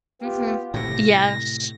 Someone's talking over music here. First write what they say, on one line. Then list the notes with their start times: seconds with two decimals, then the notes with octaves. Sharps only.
Mhm. Yes.
0.22 B3 F4 G4
0.74 A2 C3 A#6